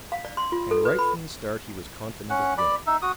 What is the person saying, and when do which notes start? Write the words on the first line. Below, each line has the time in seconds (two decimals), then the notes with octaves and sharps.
And right from the start he was confident of winning.
0.12 F5
0.25 D5
0.37 C6
0.52 F4
0.71 A4
0.85 B4
0.99 B5
2.30 C#4 F#5
2.58 D5 B5
2.87 D#4 E5
3.02 F#4 D#6